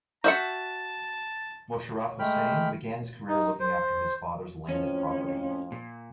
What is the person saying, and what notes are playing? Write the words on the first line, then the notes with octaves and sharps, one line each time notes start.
Mosharraf Hossain began his career looking after his father's landed property.
F#4 E5 A5 G6 C#7
G#3 A3 G5 B5 F6
D#4
C5
F2 A2 F3 C#4
A#2